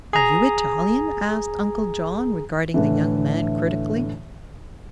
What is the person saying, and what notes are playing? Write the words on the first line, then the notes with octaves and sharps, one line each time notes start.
"Are you Italian?" asked Uncle John, regarding the young man critically.
G#4 A#5
A2 D3 E3